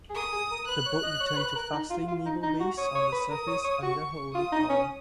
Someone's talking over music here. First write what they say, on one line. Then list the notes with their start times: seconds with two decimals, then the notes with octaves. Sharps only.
The boat returned to Faslane naval base on the surface under her own power.
0.10 G#4
0.15 A#4 D#6
0.33 G#4
0.51 A#4
0.68 B4 F#6
0.86 C#5
1.03 D#5
1.20 C#5
1.33 C#5
1.37 B4
1.56 A#4
1.72 D#4
1.90 F4
2.08 F4
2.26 D#4
2.43 D#4
2.60 F#4
2.78 C#5 D#6
2.95 C#5
3.12 B4
3.30 A#4 D#6
3.47 C#5
3.64 C#5
3.83 F#4 C#6
4.34 F4 D#6
4.52 D#4
4.69 C#4